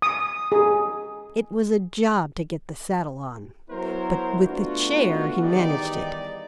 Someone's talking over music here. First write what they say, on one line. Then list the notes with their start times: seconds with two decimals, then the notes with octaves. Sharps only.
It was a job to get the saddle on; but with the chair he managed it.
0.02 D#6
0.52 G#4
3.70 F#3 B3 E4 A#4 C5
4.41 A3 B3 D4 F4 F#4
5.41 E2 D#3 G3 D#4 G4 D5